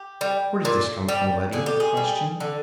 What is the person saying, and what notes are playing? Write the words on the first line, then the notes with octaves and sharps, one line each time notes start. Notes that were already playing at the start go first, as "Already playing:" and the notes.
"Where did this come from, Letty?" he questioned.
Already playing: G4
G3
A#2
G3
D3 G#4
G4
G#4
G3
D3